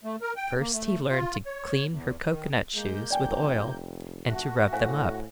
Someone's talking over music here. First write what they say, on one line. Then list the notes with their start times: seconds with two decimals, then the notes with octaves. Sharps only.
First he learned to clean her cocoa-nut shoes with oil and to rub them up.
0.04 A3
0.22 A#4
0.36 G5
0.59 A#3
0.73 A3
1.11 F4
1.46 C#5
1.90 E2
2.27 D#3
2.75 G#3 A#3 G6
3.11 F1 D5 G5 G#5
4.26 A3 F#4
4.73 A2 C5 F5 G#5